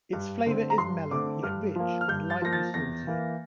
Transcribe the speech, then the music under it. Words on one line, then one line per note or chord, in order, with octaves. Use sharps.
Its flavor is mellow, yet rich, and lightly salty.
G2
D3 A3 C4
A#5
G2 C6
D3 A3 C4 D6
G2 F6
F3 A#3
F6
G2 G6
A6
F3 A#3 A#6
A6
E2 A#6
E3 A#3